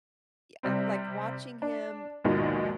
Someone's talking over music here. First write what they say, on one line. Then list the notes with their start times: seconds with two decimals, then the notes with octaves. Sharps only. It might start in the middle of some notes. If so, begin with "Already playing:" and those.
y uh, like watching him,
0.63 C3 G3 C4
1.62 D4
2.24 A#1 D#2 G#2 B2 D#3 F3